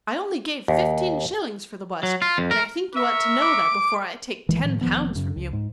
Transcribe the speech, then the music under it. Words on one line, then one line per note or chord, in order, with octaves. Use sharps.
I only gave fifteen shillings for the bust, and I think you ought to know that before I take ten pounds from you.
D#2
F#3
F4
F2
A#4
A#4 E5 C#6
D6
B1 D#3 E3 G#3
A2 D#3 F3
F1 D#3 F3 B3
F#2 C#3
C#2
G#2